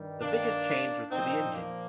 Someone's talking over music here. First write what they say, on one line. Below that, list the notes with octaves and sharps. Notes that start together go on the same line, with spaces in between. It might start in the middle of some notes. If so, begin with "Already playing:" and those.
The biggest change was to the engine.
Already playing: G2 D#3 G3
A#3 D4
A#2 F3 C4 D#4
A#3